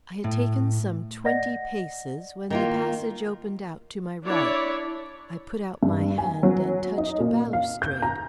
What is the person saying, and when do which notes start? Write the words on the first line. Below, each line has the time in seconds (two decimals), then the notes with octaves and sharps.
I had taken some twenty paces when the passage opened out to my right. I put out my hand and touched a balustrade.
0.24 A2
1.25 D5 D#5 F#5 A#6
2.50 D#3 A#3 F4
4.24 D4 E4 C#5 D5
5.83 G2
6.18 G#5
6.43 F#3
6.98 D#4
7.20 A#2
7.53 F5
7.82 G6
8.02 A#5